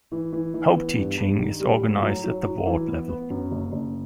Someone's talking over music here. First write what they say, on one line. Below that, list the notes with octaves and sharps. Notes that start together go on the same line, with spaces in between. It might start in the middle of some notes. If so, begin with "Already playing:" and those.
Home teaching is organized at the ward level.
E3
E3
E3
B3
G2
G2
D#3
G3
A2
F#3
F#3
F#3
E3
B3
B3
F#2
F#1
F#1